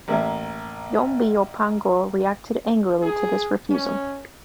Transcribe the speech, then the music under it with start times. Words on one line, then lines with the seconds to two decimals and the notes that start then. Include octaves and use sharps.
Yhombi-Opango reacted angrily to this refusal.
0.08 A1 A#3 E5
3.02 G#4
3.70 C#4